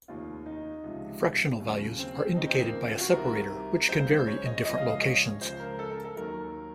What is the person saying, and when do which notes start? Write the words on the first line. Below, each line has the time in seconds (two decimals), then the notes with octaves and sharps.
Fractional values are indicated by a separator, which can vary in different locations.
0.08 F1 D#2 D#3 F4
0.46 D#4
0.84 C#2 C3 F3
1.60 D#2 C#3 F#3
1.99 C4
2.36 D#2 C#3 F3 D#4
2.49 C4
2.62 A#3
2.87 F4
3.00 F#4
3.13 C2 C3 D#3 A#4
3.89 C#2 C#3 F#3 C5
4.27 C#5
4.46 D#5
4.65 C#2 C#3 F3 D#5
4.78 F5
4.90 D#5
5.02 C#5
5.41 C#2 C#3 F3 C5
5.60 A#4
5.79 A4
5.91 A#4
6.05 A4
6.17 D#2 D#3 F#3 A#4